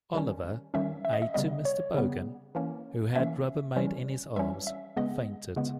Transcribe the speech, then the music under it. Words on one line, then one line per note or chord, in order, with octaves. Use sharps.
Oliver, aide to Mr. Bogan, who had Rubbermaid in his arms, fainted.
D#3 G3 C#4
D#3 G3 C#4 E5
E5
D#5
E5
C#3 G3 B3 D#5
C#5
C#3 G3 B3
E3 A#3 C#4
E3 A#3 C#4 E5
E3 G3 C#4
E3 G3 C#4 E5
E5
C#3 G#3 B3 D#5
C#3 G#3 B3